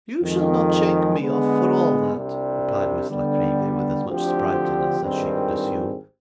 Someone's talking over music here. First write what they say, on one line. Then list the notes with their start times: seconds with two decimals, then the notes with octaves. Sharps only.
'You shall not shake me off, for all that,' replied Miss La Creevy, with as much sprightliness as she could assume.
0.22 F2 D#3 G#3
1.18 D3 G#3 B3
2.13 C2 C3 G3 D4
3.09 D3 G3 B3
4.04 D2 D3 F3 C4 G4
5.01 G#1 G2 D#3 G#3 C4